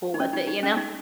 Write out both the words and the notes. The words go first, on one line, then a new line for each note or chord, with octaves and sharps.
full with it, you know?
D#4
C#4
D#4
D#4
C#4
D#4